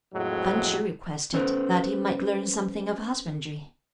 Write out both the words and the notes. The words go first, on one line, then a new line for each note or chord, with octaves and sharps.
Fan Ch'i requested that he might learn something of husbandry.
F2 A2 F3 F#3 G#3
C#4 A4 B4 C5